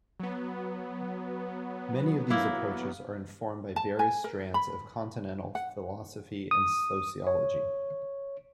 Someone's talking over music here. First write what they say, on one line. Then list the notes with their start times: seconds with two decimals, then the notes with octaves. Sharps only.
Many of these approaches are informed by various strands of Continental philosophy and sociology.
0.20 F#3 B3
2.30 A#3 E4
3.76 A5
3.99 G#5
4.24 A#4
4.54 B5
5.55 F#5
6.51 D#6
7.27 C#5